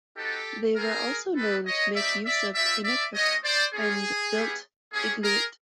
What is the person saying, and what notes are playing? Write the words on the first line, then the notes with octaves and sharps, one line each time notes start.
They were also known to make use of "inukhuk" and built "igluit".
C4 D#4 F#4 G4 A4
G3 C4 F4 G#4 A#4
G#3 C4 D#4 G4 A4 B4
C#5 D#5
A3 C4 D#4 G4 D5 E5
D5 E5
C4 F4 D5 E5
D5 E5
A3 C#4 F#4 C#5 D#5
C5 D5
A#3 C#4 F4 G#4
G3 B3 E4 G4
A#3 C#4 E4 G4 G#4
G#4 A#4